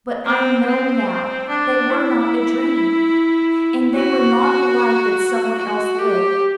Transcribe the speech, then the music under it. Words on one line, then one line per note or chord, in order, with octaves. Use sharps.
But I know now; they were not a dream, and they were not a life that some one else lived.
C4
C4
D4
E4
F#4
F#4
G4